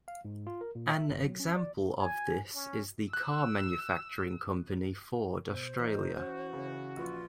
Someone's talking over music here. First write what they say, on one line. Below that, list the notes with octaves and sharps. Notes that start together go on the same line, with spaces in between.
An example of this is the car manufacturing company Ford Australia.
F5
G#2
F4
A#4
A#2
E5
G1
F#3
C#4
D5
G#5
C#4
E6 F#6
B2 C5
E3 D#4
E3 C#4 F#4
C#3
A#1 F4 B4 C#6